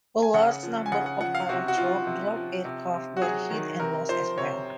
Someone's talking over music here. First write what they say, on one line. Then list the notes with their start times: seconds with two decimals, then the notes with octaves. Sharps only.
A large number of paratroop drop aircraft were hit and lost as well.
0.22 G#5
0.34 C#3 F#5
0.63 F3
0.86 G#5
0.92 C#3 F#5
1.06 F#5
1.20 F3 F#5
1.35 F5
1.49 C3 F#4
1.68 F#4
1.78 F3 F4
2.07 C3
2.36 F3
2.65 C3
2.94 C3
3.17 F#4
3.22 F#3 G#4
3.51 D#3
3.80 C3 A#4
4.09 F3 C5
4.37 C3 C#5